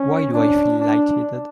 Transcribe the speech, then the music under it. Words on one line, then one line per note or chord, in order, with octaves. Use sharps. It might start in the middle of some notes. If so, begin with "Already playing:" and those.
Why do I feel light-headed?
Already playing: C#4
D4
D4